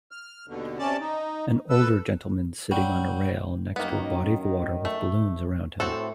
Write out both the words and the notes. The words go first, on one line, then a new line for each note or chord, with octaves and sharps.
An older gentleman sitting on a rail next to a body of water with balloons around him.
F6
D#2 B2 D3
C3 C#4 D5 A5
D#4
A4 B4 E6
F#3 G3
F#2 D#3 A#3 B3
A3
A2 C4 F#4 A4